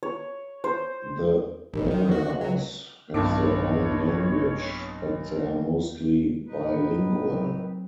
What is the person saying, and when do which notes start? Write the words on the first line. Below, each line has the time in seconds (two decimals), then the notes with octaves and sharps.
The Waraos have their own language, but they are mostly bilingual.
0.03 C#5
0.64 C5
1.73 A1
1.90 D#3
2.11 F#4
2.41 F#3
3.14 B1 G2 A#3 C4 E4 C#5 A5 D6
6.47 A2 D#4 B4
7.28 F#3 C4